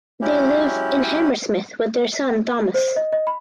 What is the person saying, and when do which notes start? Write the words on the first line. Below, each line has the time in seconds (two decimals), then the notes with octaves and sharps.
They live in Hammersmith with their son Thomas.
0.22 F#3 G#3 C#4 E4 G4
2.74 C5
2.96 D#5
3.12 D#5
3.27 B5